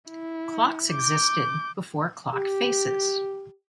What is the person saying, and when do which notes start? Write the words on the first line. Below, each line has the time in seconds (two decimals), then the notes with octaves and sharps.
Clocks existed before clock faces.
0.10 E4
0.91 D6 G6
2.34 G4